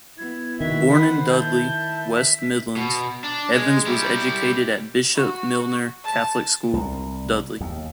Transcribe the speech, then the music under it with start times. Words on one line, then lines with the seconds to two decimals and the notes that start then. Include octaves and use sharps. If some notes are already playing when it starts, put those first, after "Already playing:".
Born in Dudley, West Midlands, Evans was educated at Bishop Milner Catholic School, Dudley.
0.18 B3 E4 G#6
0.61 D#3 F#4 E5 B6
0.90 C5 F#5 B5
1.30 E4 A5 G6
1.67 E5
2.17 B6
2.76 B2
3.24 D4
3.53 G#3
3.86 G3 E4
5.15 F#4
6.04 A5
6.73 C2
7.61 D#2